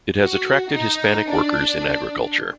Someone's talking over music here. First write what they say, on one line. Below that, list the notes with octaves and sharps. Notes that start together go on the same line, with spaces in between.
It has attracted Hispanic workers in agriculture.
F#4
D#4
D4